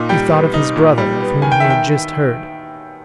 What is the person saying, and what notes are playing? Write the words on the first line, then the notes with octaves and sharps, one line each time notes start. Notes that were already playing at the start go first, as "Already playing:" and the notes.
He thought of his brother, of whom he had just heard.
Already playing: A#2 D#4
G3 G5
B3
D#4
A#2
G3
B3
D#3 G#5
G5
D#3 E5
G5